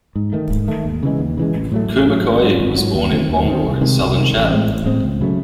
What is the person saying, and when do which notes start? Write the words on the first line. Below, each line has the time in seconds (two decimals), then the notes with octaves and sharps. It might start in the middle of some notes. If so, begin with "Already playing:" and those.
Koumakoye was born in Bongor in southern Chad.
0.16 G#2
0.33 D#3 A3
0.50 G#2
0.68 D#3 A3
0.85 D#2
1.03 C#3 E3 G#3
1.19 D#2
1.37 C#3 E3 G#3
1.54 A1
1.72 A2 F#3 A3
1.89 A1
2.07 A2 F#3 A3
2.25 G#1
2.42 G#2 F#3
2.59 G#1
2.77 G#2 F#3
2.94 D#2
3.12 D#3 A3 C4
3.29 D#2
3.46 D#3 A3
3.50 C4
3.64 C2
3.81 C3 D#3 G#3
3.99 C2
4.16 C3 D#3 G#3
4.34 A1
4.51 A2 G#3 C4
4.68 A1
4.86 A2 G#3 C4
5.04 C#2
5.21 C#3 F#3 A3